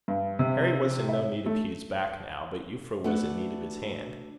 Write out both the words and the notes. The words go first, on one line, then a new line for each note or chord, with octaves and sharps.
Harry was in no need of Hugh's back now, but Euphra was in need of his hand.
G2
C3
E5
A3
A3 B3 D4 F#4